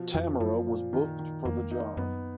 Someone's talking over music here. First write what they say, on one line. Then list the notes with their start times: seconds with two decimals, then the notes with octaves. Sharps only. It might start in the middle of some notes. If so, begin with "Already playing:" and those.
Tamara was booked for the job.
Already playing: B2 F3
0.14 F2 F3
0.40 F#2 F3
0.67 A#2
0.93 D#3
1.19 D#3
1.45 F2 A#3
1.71 D#4
1.97 F#2 B3